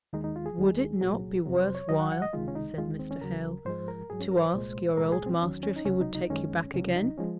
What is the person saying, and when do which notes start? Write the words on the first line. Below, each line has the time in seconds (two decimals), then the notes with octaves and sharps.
'Would it not be worth while,' said Mr. Hale, 'to ask your old master if he would take you back again?
0.13 D#2 D#3 G#3 D#4
0.24 D#4
0.36 F4
0.46 G#4
0.57 D#2 D#3 G#3
1.01 C2 A#2 F#3
1.45 F2 C3 F#3
1.60 C5
1.75 C#5
1.89 D#2 D#3 F#3 D#5
2.00 F#5
2.12 F#5
2.22 D#5
2.33 C#2 C3 D#3 G#3 F4
2.48 C#4
2.55 D#4
2.77 D#2 D#3 G#3 F4
2.99 C4
3.11 C#4
3.21 D#2 C#3 F#3 A#4
3.65 G#2 F3 G#3 C5
3.88 A#4
4.10 G#2 F#3 G#4
4.20 C#4
4.32 A#4
4.42 C5
4.53 C2 A#2 G#3
4.97 C2 A#2 G#3 A#4
5.12 G#4
5.26 C4
5.41 D#2 D#3 F#3 C#4
5.63 C#4
5.76 D#4
5.85 C#2 C3 F#3 C#4
6.01 D#4
6.15 D#4
6.30 F#2 D#3 G#3 C#4
6.74 C#2 C3 F#3 C#4
6.96 D#4
7.18 F3 G#3 C#4